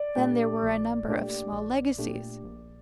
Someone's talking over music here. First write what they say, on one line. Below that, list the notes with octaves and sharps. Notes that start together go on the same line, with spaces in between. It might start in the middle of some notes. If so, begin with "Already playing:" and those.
Then there were a number of small legacies.
Already playing: D5
A#2 A3 D4 G4
A#1
A#2 A3 D4 G4
A#1
A#2 A3 D4 G4
A#1